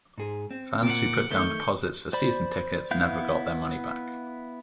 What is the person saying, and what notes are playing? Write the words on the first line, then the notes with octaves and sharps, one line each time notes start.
Fans who put down deposits for season tickets never got their money back.
G#2 G#4
C4
A#2 F#5 D6
D#3 A3 C#6 G6
C5 D5 B5
B3 E4 F5 G6